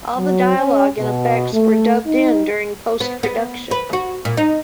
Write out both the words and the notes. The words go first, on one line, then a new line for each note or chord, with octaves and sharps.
All of the dialogue and effects were dubbed in during post-production.
F#3
C#4
B2
A3
D#4
B3
B3
B4
F#4
A#2
D#4